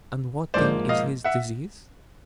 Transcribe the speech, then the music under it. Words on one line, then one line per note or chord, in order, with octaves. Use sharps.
'And what then is his disease?'
G#2 F3 A#3 C5 D5
D#5 F5
E5 F#5